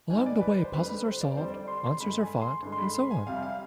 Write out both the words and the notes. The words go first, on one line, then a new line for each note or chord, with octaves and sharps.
Along the way puzzles are solved, monsters are fought, and so on.
G#2 D#3 G3 G#5
D5
B4
C5
F2 D3 G3 B4
B4
C5
D5
F2 D3 G3 C5
D5
C6
C6
G2 D3 G#3 B5
G#5
C6
G2 D3 G#3
C6
B5
C6
G#5
F2 C3 G3 F5
F5